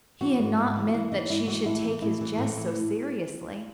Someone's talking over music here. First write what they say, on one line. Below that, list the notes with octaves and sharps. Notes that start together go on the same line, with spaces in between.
He had not meant that she should take his jest so seriously.
E3 F#4
G#2
G#2
E3
F#4
E3 E4
E3 D#4
G#2 E4
E3 F#4
A2 E4
E3
A2 E4
E3
A2 A3
E3